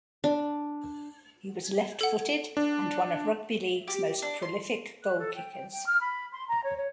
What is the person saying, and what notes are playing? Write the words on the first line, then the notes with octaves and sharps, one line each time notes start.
He was left-footed, and one of rugby league's most prolific goal-kickers.
D4
A4 F#5
D4
G4
D4
C6
F#6
A4
G5
G5
G5
F6
B5
C6
A#5
C#5
C#5